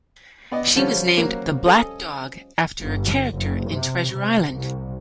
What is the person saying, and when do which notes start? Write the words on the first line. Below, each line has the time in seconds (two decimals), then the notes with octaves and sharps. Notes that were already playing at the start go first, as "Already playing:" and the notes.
She was named The Black Dog after a character in "Treasure Island".
0.52 B3 D5 D#5
0.76 D3 F3 G3 C#4
1.17 F#3 A#3 F#4
1.66 A4 D#5 G#5
2.81 G1
3.36 F#1
3.72 C3
4.13 C3
4.54 C2